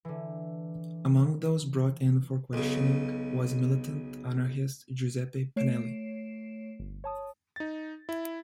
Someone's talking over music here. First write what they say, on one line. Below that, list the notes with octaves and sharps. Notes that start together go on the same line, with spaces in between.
Among those brought in for questioning was militant anarchist Giuseppe Pinelli.
D3 E3
B1 C#3
A3 C#5 C7 D7 E7
G1
C#5 A5 D#6
D#4 A6
E4